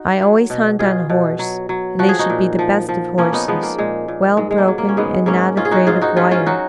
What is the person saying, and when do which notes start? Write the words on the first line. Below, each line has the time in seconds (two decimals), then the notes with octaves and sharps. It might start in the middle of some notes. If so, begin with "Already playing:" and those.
I always hunt on a horse, and they should be the best of horses, well broken and not afraid of wire.
Already playing: D#4 F#4
0.21 F#3
0.50 B2
0.79 B2 F4 G#4
1.10 B2
1.39 F#3
1.69 F#3
1.99 F3 F#4
2.09 G#4
2.19 D#4 F#4
2.30 A#2
2.59 F3
2.89 F3
3.18 F3 A#3 C#4
3.33 B3 D#4
3.48 F3 G#3 B3
3.63 A#3
3.78 A#2 G#3
4.08 A#2
4.37 G#2 G#3
4.51 G#3
4.58 A#3
4.68 F#3
4.78 A#3
4.89 C#4
4.97 G#2 G#3 B3
5.26 G#2 A#3 C#4
5.57 G#2 C#4 F4
5.65 G#4
5.71 D#4 F#4
5.87 G#2 F4 G#4
6.01 D#4 F#4
6.16 F#3 C#4 F4
6.31 C#4 F4
6.46 F#3 D#4 F#4